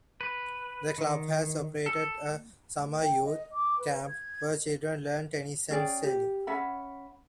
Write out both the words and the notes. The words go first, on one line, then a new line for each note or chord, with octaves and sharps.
The club has operated a summer youth camp, where children learn tennis and sailing.
B4
D#3
A4
G5
D#5
D6
B4
G#6
C#4 G#4 D5 G5
G4
C#4 E5 F#5 B5